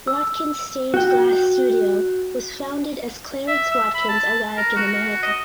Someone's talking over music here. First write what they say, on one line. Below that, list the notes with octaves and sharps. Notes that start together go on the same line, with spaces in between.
Watkins Stained Glass Studio was founded as Clarence Watkins arrived in America.
E6
F#4 G5
E5
E6
B5
A5
A#4
F#4
D#5